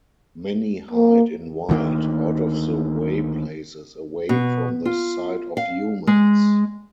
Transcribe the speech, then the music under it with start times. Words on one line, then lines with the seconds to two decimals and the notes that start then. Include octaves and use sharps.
Many hide in wild, out-of-the-way places away from the sight of humans.
0.91 A#3
1.69 D2 D#3 A#3
4.29 B2
4.85 F4
5.57 F5
6.07 G#3